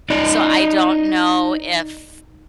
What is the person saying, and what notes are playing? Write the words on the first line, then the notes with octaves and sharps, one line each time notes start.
So, I don't know if
D#4 D5